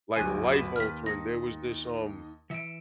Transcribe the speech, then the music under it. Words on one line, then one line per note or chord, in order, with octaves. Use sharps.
like, life altering, there was this, um
G1 D2 F#3 G#5 F#6
B4 E7
D#2 F6 B6
D#4 A#6
E3 E5 C#7 D7